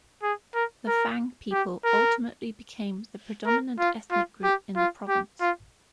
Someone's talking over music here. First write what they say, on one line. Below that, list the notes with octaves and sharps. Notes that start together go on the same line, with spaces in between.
The Fang people ultimately became the predominant ethnic group in the province.
G#4
A#4
A#4
G4
A#4
A#4
F4
F4
G4
F4
G4
F4